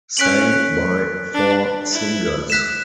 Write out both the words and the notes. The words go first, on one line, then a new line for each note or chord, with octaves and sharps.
Sang by four singers.
C#4 F#6 B6 D7 F#7
D4
E4
F#6 B6 E7